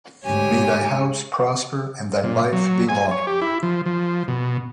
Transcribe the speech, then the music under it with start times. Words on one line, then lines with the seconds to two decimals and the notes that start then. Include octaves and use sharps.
May thy house prosper and thy life be long!
0.25 D2 G#2 G4 C#5 G#5
2.23 A#2
2.53 F#3
2.89 G#5
3.11 C#5
3.27 G4
3.42 E4
3.63 F3
3.86 F3
4.28 B2